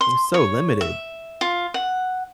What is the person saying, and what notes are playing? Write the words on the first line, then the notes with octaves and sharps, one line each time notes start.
And so limited,
C6
C#5
E5
F4
F#5